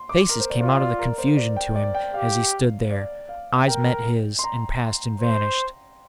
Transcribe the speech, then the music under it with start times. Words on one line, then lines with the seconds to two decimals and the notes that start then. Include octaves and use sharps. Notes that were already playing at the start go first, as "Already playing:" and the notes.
Faces came out of the confusion to him as he stood there, eyes met his and passed and vanished.
Already playing: C6
0.09 D6
0.29 A#4
0.39 C5
0.50 D5
0.60 F4 F5
0.80 D5
0.99 A#4
1.18 C5
1.37 D5
1.57 G5
1.76 D5
1.95 G5
2.14 G4 F5
2.91 D5
3.29 F5
3.67 A#4 G5
4.39 C6
4.44 A#5
5.21 C5